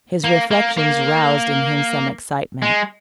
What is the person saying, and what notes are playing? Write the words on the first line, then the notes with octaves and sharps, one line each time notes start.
His reflections roused in him some excitement.
A#3
A#3
A#3
G#3